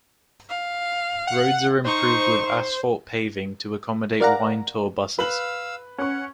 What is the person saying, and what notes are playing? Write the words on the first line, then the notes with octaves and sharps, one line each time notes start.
Roads are improved with asphalt paving to accommodate wine-tour buses.
F5
F#5
D#4 C5 C#6
A#4 D5 F5 F#5 A#5
B4 F5 E6 F#7
C#4 F#5 C#6